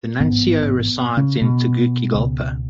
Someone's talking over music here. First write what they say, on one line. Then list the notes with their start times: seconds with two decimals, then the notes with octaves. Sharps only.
The nuncio resides in Tegucigalpa.
0.20 A1 G#2 B2 B3
1.17 C#3 C#4
1.42 B2 B3
2.14 C#2 C#3